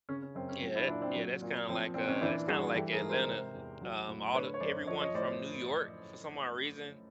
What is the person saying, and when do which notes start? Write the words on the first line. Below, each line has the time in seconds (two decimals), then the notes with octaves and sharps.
Yeah it yeah, that's kinda like uh, that's kinda like Atlanta. Um, all the everyone from New York, for some odd reason,
0.09 C#3 C#4
0.22 C#4
0.35 F#2 C4
0.49 C#4
0.62 F#3
0.75 D4 E4
0.88 A#2 D4 E4
1.02 C4 D4
1.15 F#3
1.42 A#2
1.69 F3 C4
1.94 A#2 C4
2.08 C#4
2.21 E3 D4 E4
2.48 G2 F#4 G#4
2.74 E3 G4 A4
2.92 G#4 A#4
3.01 G#2
3.10 A#4 C5
3.28 C3
3.54 E2
3.81 F#3
4.08 A2
4.34 D3 B4 C#5
4.54 C#5
4.60 F#2 C5 D5
4.87 F3 C#5 D#5
5.01 C#5 D#5
5.15 A2 C5 D5